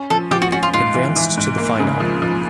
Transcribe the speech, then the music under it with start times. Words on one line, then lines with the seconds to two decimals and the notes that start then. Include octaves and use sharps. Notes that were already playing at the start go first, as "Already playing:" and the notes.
Advanced to the Final.
Already playing: C#4
0.10 F3 A4
0.31 F3 G4
0.42 F#4
0.52 C#4 F#4
0.63 F4
0.73 G#2 F4
0.94 E3
1.16 E3
1.37 G#2
1.58 A#3
1.80 C#3
2.00 F3
2.22 F3